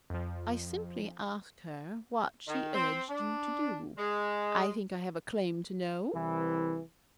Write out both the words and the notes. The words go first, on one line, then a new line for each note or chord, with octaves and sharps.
'I simply asked her what she urged you to do--I think I have a claim to know.
F2 F3
D#3
C4
D4
G#3
C2 E3